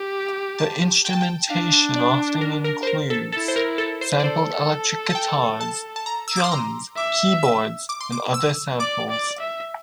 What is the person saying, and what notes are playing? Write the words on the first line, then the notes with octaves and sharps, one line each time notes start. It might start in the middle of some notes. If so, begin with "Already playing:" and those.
Their instrumentation often includes sampled electric guitars, drums, keyboards, and other samples.
Already playing: G4
A5
G5
A5
G5
D4 F5
D5
A#4
A#4
C5
A#4
A4
E4 A4
C5
A#4
A4
C5
D5
A4 C5
A5
G5
A5
A5
A#5
E6
D6
C6
A#5
E5 D6
E6
D6
C6
D6
E6
D5 D6
D5
E5